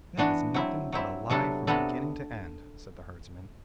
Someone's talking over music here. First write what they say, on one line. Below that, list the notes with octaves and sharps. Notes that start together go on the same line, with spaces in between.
'That is nothing but a lie from beginning to end,' said the herdsman.
E3 B3 D4 F#4
F#3 C4 E4
F#3 C4 E4
C3 F#3 B3 D4 A4
C3 F#3 B3 D4 A4